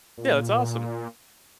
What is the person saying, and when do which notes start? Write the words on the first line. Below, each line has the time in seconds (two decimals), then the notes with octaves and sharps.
Yeah, that's awesome.
0.18 A#2